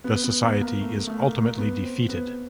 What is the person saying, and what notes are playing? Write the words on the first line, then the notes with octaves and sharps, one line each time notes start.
The Society is ultimately defeated.
B3
B3
B3
A#3
A3
A3
A#3
B3
C4
B3